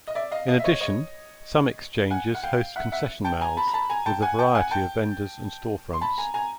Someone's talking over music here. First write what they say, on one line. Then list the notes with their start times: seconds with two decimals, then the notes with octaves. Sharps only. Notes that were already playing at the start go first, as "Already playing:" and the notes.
In addition, some Exchanges host concession malls with a variety of vendors and storefronts.
0.08 D#5
0.15 D5 E5
0.31 D#5 F5
0.48 D#5 F5
0.59 E5
0.64 C#5 D#5
0.81 C#5 D#5
2.11 F#5 G#5
2.35 F#5
2.43 F5 G5
2.76 E5 F#5
2.92 E5 F#5
3.25 G5 A5
3.41 G#5 A#5
3.57 A5 B5
3.67 A#5
3.73 A5 B5
3.90 G#5 A#5
4.06 G5 A5
4.22 F#5 G#5
4.39 G5 A5
4.55 F#5 G#5
4.71 G5 A5
5.93 C6
6.01 A5 B5
6.18 G#5 A#5
6.34 G#5 A#5